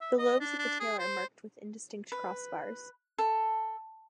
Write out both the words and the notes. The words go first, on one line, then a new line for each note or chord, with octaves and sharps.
The lobes of the tail are marked with indistinct crossbars.
E5
D#5
D4
D4
G#4
C5
B4
A4